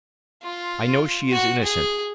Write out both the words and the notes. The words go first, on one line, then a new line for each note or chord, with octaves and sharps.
I know she is innocent.
F4
F#4
G#4